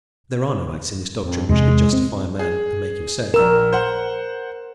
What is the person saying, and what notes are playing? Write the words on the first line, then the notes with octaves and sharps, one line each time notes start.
There are no acts in this doctrine which could justify a man and make him saved.
F2
E2 C3 G#3
C4
G#4
A#1 A#4 E6 E7
C5 F#5